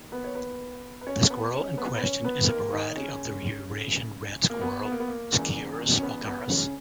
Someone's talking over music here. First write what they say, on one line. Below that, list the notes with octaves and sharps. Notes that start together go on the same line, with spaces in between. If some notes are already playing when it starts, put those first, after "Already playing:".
The squirrel in question is a variety of the Eurasian red squirrel, "Sciurus vulgaris".
Already playing: D#2 D#3
B3 B4
C#5
B3 B4
B4
C#4 C#5
B3 B4
C#4 C#5
B3 B4
B4
C#4 C#5
B3 B4
D#2 D#3 A#3 A#4
D#3 D#4
C#3 C#4
A#3
B3
B3
A#3
B3
A#3
E1 E2 C#3 E3
C#4
B3
B3
C#3 C#4